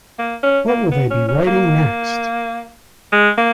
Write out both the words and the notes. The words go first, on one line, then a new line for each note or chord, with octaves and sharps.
What will they be writing next?
A#3
C#4
A#3
B3
C#4
C#4
A#3
G#3
A#3